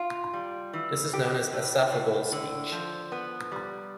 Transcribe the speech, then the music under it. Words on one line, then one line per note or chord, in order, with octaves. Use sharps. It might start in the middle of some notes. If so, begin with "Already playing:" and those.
This is known as esophageal speech.
Already playing: F4
G3
E3
G4
A2
A2
D3
F3
B3
G3